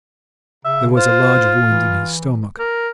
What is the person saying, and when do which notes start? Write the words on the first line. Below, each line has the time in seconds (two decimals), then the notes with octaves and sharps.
There was a large wound in his stomach.
0.65 C#3 E5
0.97 F4 C5
1.68 E3
2.59 A#4